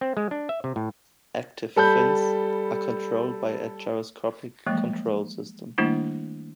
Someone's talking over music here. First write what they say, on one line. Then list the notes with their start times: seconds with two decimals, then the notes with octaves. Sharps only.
"Active fins" are controlled by a gyroscopic control system.
0.01 C4
0.17 G#3
0.31 D4
0.49 E5
0.64 C3
0.76 A2
1.76 G3 A4 B5 G6
4.66 E3 F3 G3 G#3 A#3
5.78 D#3 G3 A3 A#3 D4 E4